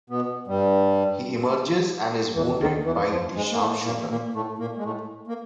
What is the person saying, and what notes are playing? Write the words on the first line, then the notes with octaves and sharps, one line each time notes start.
He emerges and is wounded by the sharpshooter.
B2 B3
G2 G3
E2 E3
D#2 D#3
E2 E3
F2 F3
G#2 G#3
A#3
A2 A3
A#2 A#3
A#2 A#3
A2 A3
A#2 A#3
G#3
A2 A3
A#3